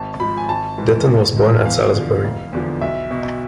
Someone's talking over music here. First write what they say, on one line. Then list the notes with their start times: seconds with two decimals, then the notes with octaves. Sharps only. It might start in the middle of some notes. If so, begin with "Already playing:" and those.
Ditton was born at Salisbury.
Already playing: G#1 A5
0.20 G#2 F3 B5
0.37 G#5
0.49 G#1 A5
0.78 G#2 E3
1.07 A1
1.36 G#2 E3
1.65 E2 F5
1.94 D3 F3
2.24 F1
2.53 E2 D3 F3
2.81 B1 E5
3.11 B2